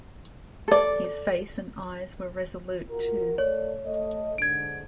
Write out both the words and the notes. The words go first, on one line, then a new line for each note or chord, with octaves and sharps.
His face and eyes were resolute, too.
A4 D5
F4 F#4 A#4
A3 C#5 D5
A3 D#5
G#2 D3 G#6 D7